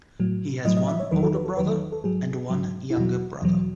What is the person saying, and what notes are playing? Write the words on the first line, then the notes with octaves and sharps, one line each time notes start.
He has one older brother and one younger brother.
A2 F#3
A2 F#3 D#5
D#5
E5
C#5
E2 D#3 F#3 B4
A4
B4
A4
E2 D#3 F#3 B4
A4
A4
G#2 F#3 G#4
G#2 F#3
E4
E2 B2 F#3 F#4
E2 B2 F#3